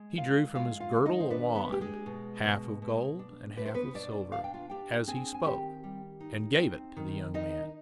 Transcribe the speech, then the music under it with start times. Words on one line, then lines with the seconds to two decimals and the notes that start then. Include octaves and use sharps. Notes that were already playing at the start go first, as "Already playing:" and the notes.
He drew from his girdle a wand, half of gold and half of silver, as he spoke, and gave it to the young man.
Already playing: G#3
0.17 D#3 F4 F5
0.55 G#3 F4 F5
0.80 F4 F5
0.93 D#3
1.06 D#4 D#5
1.20 C5
1.30 B3 D4 B4
1.55 B3 B4
1.69 G#3
1.72 G4
1.81 G#3 G#4
2.06 B2
2.44 B2
2.82 B2
3.19 D4
3.56 D4 B4
3.66 C5
3.74 B3 B4
3.95 B2 D4 D5
4.32 D4 F5
4.44 G5
4.54 F4 F5
4.70 D4 G4 G5
5.07 C4 G#4 G#5
5.34 G#5
5.46 D#3 G4 G5
5.84 G3
6.20 D#4
6.58 C4
6.97 D#3
7.34 D#3 D#4 D#5